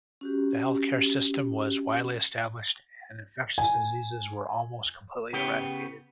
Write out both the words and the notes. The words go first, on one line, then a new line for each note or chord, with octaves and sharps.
The health care system was widely established and infectious diseases were almost completely eradicated.
C#4 F#4 G4
G#5
C#3 B3 G4 G5